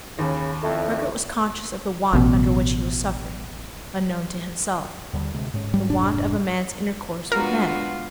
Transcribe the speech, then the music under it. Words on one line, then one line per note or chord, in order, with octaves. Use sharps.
Margaret was conscious of the want under which he was suffering, unknown to himself; the want of a man's intercourse with men.
D#2 C#3 B5
F2 A3 E4 A4 E5
A1 B2
D#2 D3 G3
D2 C3 G#3
G#2 G#3 C#4
G3
F1 D4
G#3 B3 D4 F4 F#4 A#4